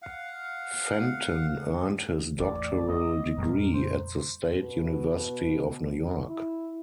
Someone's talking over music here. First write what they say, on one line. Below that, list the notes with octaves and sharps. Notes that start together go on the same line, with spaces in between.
Fenton earned his doctoral degree at the State University of New York.
F5 F#5
A1 E2 A2 D5
B3 D#5
F2 A#2 G3 A#4
C5
B2
E4